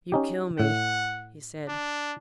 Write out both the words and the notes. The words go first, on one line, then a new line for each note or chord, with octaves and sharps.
"You kill me!" he said.
C#4 D#4 G4
A2 F#5
D4